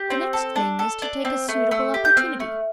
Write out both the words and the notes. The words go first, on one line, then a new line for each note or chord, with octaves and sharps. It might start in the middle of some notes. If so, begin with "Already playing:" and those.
The next thing is to take a suitable opportunity.
Already playing: G4
C4
A4
D4
A4
D4
C4
A3
A3 E6
G4
G6
C4 F6
A3